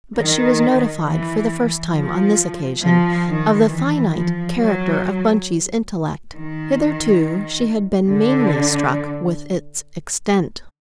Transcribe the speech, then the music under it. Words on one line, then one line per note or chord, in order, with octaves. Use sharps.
But she was notified for the first time, on this occasion, of the finite character of Bunchie's intellect; hitherto she had been mainly struck with its extent.
D#3
E3
F3
F3
D#3
E3
F3
F#3
D#3
D3